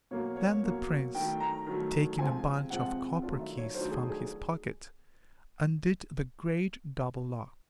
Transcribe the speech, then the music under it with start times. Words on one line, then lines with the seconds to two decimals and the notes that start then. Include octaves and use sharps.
Then the Prince, taking a bunch of copper keys from his pocket, undid the great double locks.
0.11 B2 F#3 A#3 C#5
0.37 C#5
0.63 B2 F#3 A#3
1.15 D#3 F#3 A3 G5
1.40 A#5
1.67 D#3 F#3 A3
2.19 C3 F3 G#3 C4 F4 G#5
2.70 C3 F3 G#3 C4 F4 F#5
2.88 F#5
3.22 D#3 F#3 A3 D4 F4
3.40 E5
3.57 C#5
3.74 D#3 F#3 A3 D4 F4 C5
3.91 G#4
4.09 G#4